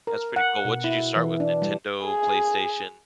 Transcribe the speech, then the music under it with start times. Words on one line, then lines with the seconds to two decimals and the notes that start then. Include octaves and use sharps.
That's pretty cool, what did you start with? Nintendo? PlayStation?
0.07 A#4
0.36 F#5
0.65 B2
0.84 E4
1.16 E3
1.40 D4
1.62 G3
2.05 G#4